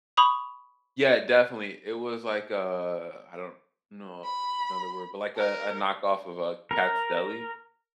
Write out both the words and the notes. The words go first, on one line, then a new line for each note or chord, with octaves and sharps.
yeah, definitely, it was, like, a I don't know another word, but like a a knockoff of a Katz deli?
B5 C#6 D#6 F7
B5
A#4
A#4